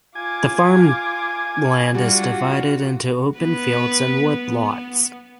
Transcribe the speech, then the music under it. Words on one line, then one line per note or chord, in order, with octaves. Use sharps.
The farmland is divided into open fields and wood lots.
F4 G#5 D6
G3 D4 F4 F#4
B3 B4
B3